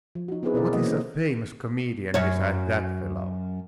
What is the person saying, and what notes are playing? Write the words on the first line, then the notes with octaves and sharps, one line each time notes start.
What is a famous comedian beside that fellow?
F3
D#4 F#4
B3 C4 D#4 E4 G#4 B4
B2 E4 G#4 A#4 D5
C3 E3 A#3 C4 D#5 F#5
C#4
F#2 C#5